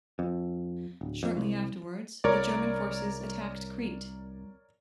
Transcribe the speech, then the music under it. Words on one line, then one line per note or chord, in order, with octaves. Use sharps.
Shortly afterwards, the German forces attacked Crete.
F2
D1
F2
C2
C2 A#4 C#5 D5